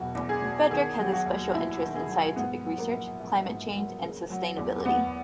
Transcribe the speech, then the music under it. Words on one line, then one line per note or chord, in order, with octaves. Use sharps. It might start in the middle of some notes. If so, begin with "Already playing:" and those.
Frederik has a special interest in scientific research, climate change and sustainability.
Already playing: E1 E2 B2 F#3 F#4
E2
G#4
B2
D#3 G#4
F#3
F#4
D#2
D#2 E4
D#3
G#4
F#3
G#2 B3
F#3
A#3
A#1
A#1
G#2
F#3
C#3
F#3
E2
E2 B3